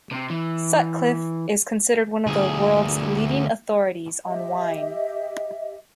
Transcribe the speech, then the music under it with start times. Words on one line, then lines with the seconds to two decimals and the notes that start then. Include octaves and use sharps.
Sutcliffe is considered one of the world's leading authorities on wine.
0.11 C3 C4
0.30 E3
2.27 D2 G#4
4.26 G4 D#5 E5